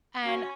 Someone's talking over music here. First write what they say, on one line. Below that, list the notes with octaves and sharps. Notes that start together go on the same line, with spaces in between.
And I
C#4 F#4